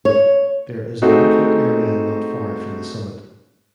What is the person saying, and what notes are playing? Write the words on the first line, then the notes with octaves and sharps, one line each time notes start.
There is an outlook area not far from the summit.
C#5
A3 C4 D#4 F#4 G#4